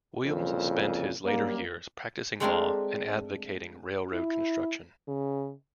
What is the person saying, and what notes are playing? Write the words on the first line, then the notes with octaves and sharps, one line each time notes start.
Williams spent his later years practicing law and advocating railroad construction.
C2 F2 A#2 C#3
F#2 G3 A#3
G#3 A3 C4 D4 G#4 A#4
E4
C#3